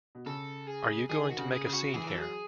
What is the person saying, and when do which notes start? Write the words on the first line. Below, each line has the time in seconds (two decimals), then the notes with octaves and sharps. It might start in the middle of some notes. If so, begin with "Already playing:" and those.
Are you going to make a scene here?
0.15 B2
0.26 C#3 A4
0.67 G#4
1.09 D#3 G#4
1.30 F#4
1.38 C#3
1.51 G#4
1.65 C#3 G#4
1.73 F#4
1.94 E3 G#4
2.04 E3 A4
2.14 F#3 G#4